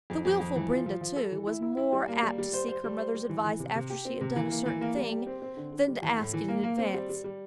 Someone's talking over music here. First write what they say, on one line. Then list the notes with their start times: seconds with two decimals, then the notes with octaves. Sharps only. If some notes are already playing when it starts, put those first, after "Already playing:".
The wilful Brenda, too, was more apt to seek her mother's advice after she had done a certain thing than to ask it in advance.
0.10 F2
0.25 F2
0.40 F2
0.56 E3
0.70 F3
0.86 F3
1.01 F3
1.16 A4
1.32 E3
1.47 E4
1.62 E4
1.77 E4
1.92 G3
2.08 A#3
2.23 G3
2.38 G3
2.53 C5
2.68 C5
2.84 G3
2.98 C5
3.14 G3
3.29 E3
3.44 E3
3.59 C3
3.75 C3
3.90 G4
4.05 C4
4.21 C3
4.36 E3
4.50 A#3
4.66 E3
4.81 A#3
4.96 G3
5.11 G4
5.27 C4
5.42 C4
5.57 D3
5.72 D3
5.88 G3
6.02 E2
6.18 A2
6.33 E3
6.48 A#3
6.63 A#3
6.78 C4
6.94 G3
7.09 G3
7.24 G3